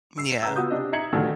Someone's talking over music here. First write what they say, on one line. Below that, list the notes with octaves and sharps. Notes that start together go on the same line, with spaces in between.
Mm, yeah.
E6 C7
C#3 B4 A#5 E6
B3 F4 F#4 D#6 G6
C3 D4 D#5
D#4 E5 A#5 G#6 C#7 F#7
D#1 B1 D3 D#3 A3 A5